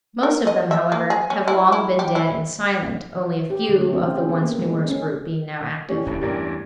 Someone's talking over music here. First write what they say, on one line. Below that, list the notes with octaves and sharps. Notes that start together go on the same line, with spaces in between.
Most of them, however, have long been dead and silent, only a few of the once numerous group being now active.
A#4
D#5
E5
A#3
G#4
C#4
E4
E4
G4
E4
G4
D3
A3
C4
C#4
G#4
B3
A#3
G#3
G#3
C#4
A3 C#4 E4 G4 C#5 D5
D1 D#2
E2 G2 G4 A#4 D5